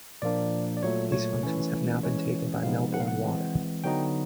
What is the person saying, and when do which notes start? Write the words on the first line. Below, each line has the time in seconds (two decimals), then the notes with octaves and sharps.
These functions have now been taken by Melbourne Water.
0.22 A#2 F3 A#3 D4 D5
0.77 D5
0.83 A#2 F#3 A3 C#5
1.12 C#5
1.43 E3 A3 C#4
2.03 E3 G#3 C#4 C#5
2.63 C3 F3 G#3 B3 D#4 F5
2.94 F#5
3.00 F5
3.08 F#5
3.24 E3 G#3 C4
3.84 D3 F#3 B3 D#4 G5